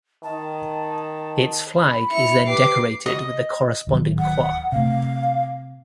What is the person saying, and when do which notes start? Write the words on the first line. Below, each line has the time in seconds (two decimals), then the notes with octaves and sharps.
Its flag is then decorated with the corresponding Croix.
0.24 D#3 A5
1.76 B5
2.11 E4 C#7 F7
2.47 G4 B4 D6 C7
3.06 D#5
3.87 D1 D#3 F#3
4.19 F#5
4.72 C3 A3 F5